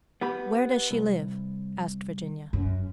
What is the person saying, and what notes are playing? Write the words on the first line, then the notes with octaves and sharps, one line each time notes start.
"Where does she live?" asked Virginia.
B3 G4 B5
C2
F#2